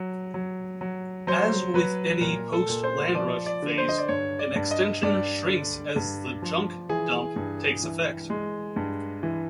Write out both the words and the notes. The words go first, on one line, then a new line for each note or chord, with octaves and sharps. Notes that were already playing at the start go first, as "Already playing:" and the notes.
As with any post-landrush phase, an extension shrinks as the "Junk Dump" takes effect.
Already playing: F#3
F#3
F#3
F#3 C5
F#3 B4
A#2 A#4
A4
A#2
C5
F3 D5
D5
D3
C5
D#5
D5
G2 C#5
D5
G2
D#5
G2 D5
D3
G2
F3
E3 G#4
G2
E3
G#3
G2
E3